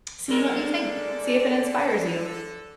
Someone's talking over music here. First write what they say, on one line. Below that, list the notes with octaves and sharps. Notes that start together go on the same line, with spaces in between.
seeing what you think. See if it inspires you.
D3 G#3 A4 A#4 D5